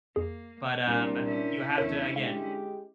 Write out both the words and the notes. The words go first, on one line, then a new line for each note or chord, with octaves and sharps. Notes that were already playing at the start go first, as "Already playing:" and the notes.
But, um, you have to again,
F2 A#3 G#4
C2 A#2 D4 A#4 C5
C#4 E4
E2 D3 A3 A#4 C#5
G#3 G4 F5